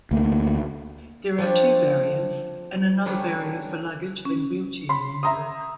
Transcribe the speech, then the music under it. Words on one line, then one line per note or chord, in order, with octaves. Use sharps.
There are two barriers, and another barrier for luggage and wheelchair users.
D2 A3 A#3
F3 A3 C4 D4 C#5
D3 F#3 G3 A3 C#4 D4
C#4
B5 C6
E5 A#5 C6 D#6